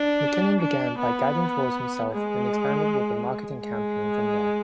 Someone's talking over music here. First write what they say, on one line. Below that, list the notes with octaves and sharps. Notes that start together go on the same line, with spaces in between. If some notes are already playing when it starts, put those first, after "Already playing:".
McKinnon began by guiding tours himself and expanded with a marketing campaign from there.
Already playing: D4
D4
B3
G#3
G#3